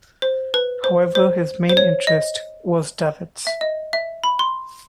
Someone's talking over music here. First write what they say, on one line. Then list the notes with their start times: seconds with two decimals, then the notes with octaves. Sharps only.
However, his main interest was davits.
0.22 C5
0.54 B4
0.84 C5
1.15 C5
1.69 C5
1.77 C#5
2.07 D#5
3.47 E5
3.61 D#5
3.93 E5
4.24 B5
4.39 C6